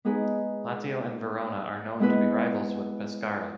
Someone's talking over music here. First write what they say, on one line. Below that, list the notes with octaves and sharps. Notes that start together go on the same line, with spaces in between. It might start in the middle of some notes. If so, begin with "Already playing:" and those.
Lazio and Verona are known to be rivals with Pescara.
G#3 B3 D#4 G#4 B4
G#3 B3 E4 B4